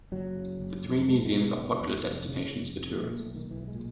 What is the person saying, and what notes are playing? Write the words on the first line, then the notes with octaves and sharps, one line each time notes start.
The three museums are popular destinations for tourists.
F#1 F#3
C#3
F#1
F2
F#1 G#3
A3
B2
B3
F#1 B3
E2 B3
F1
C#3
F1
F2
A#2 A#3
A3
B1
D#3
B1 E3
G#3
A#2